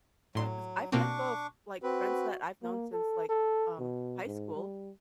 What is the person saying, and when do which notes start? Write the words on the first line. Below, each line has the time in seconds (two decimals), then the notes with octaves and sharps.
Yeah, 'cause I've let go of, like, friends that I've known since, like, um, high school
0.35 A2 F#3 C6
0.92 B2 A#3 C4 D4 C#6 D6
1.83 C4 F#4 B4
2.63 A#3
2.93 A4
3.29 A4
3.79 B2
4.26 G#2
4.55 G3